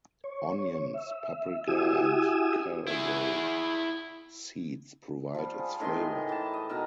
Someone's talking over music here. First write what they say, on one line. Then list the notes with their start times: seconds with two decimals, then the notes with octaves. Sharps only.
Onions, paprika and caraway seeds provide its flavour.
0.24 C#5
0.94 E5
1.67 E4 F#4 G4 G#5 D#6 E6
2.87 E4 G#4
5.34 F3 G3
5.59 G#4
5.80 A2 D#3 G#4 C6
6.29 E3 G4 A5
6.53 D#5
6.69 B2 D#3 A#4